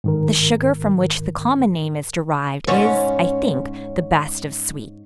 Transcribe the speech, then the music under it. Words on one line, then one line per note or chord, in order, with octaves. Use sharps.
The sugar from which the common name is derived is, I think, the best of sweets.
G#2 D#3 A#4
G#2 C#4 C#5